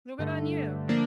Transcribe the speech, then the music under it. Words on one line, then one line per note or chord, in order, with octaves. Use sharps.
No, good on you.
G2 D3 A3
D3 F3 A#3 D4